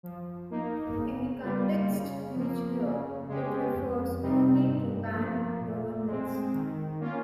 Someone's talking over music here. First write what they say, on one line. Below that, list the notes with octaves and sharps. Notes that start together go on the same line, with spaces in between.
In the context used here, it refers only to band governments.
F3
A#3 D#4
C#3
G3 A#3 F4
C#3
F3 A#3
C#3
G#3 C#4 G4
F2
C3 G3 C4 D#4
G2
F3 A#3
A#2
G#3 C4
D#3
A#3 C#4 F4